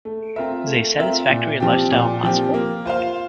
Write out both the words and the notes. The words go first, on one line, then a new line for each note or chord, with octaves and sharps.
Is a satisfactory life-style possible?
A3
C4 F4 A#4 E5
A3
C4 F4 A#4 E5
A#2
F3 C4 G4
A#2
F3 C4 G4
A#3
F4 C5 F5